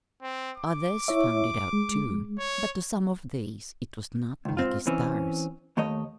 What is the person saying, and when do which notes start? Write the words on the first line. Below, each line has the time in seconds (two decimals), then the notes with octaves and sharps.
Others found it out, too; but to some of these it was not "lucky" stars.
0.22 C4
0.58 D6
1.08 E4 C#5 E5
1.73 G#3
2.38 C#5
4.45 C#2 D#3
4.57 G#2 C4 F4
4.87 E3 C4 C#4
5.77 D#2 D#3 A3 C#5 D#5